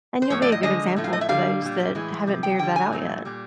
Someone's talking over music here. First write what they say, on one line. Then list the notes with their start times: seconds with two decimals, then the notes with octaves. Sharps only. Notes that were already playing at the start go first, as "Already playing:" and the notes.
And you'll be a good example for those that haven't figured that out yet.
0.22 C5
0.30 A2 F3 A3 C#5
0.42 D5
0.52 D#5
0.63 D3 F3 G#3 D#5
0.96 A2 F3 A3
1.04 F5
1.13 D#5
1.21 E5
1.29 D3 G3 F5
1.62 A#2 G3
1.95 A2 E3 G#3
2.27 C3 F3
2.43 G5
2.59 D3 G3 G5
2.76 G#5
2.93 A2 F#3 A3
3.25 A#2 G3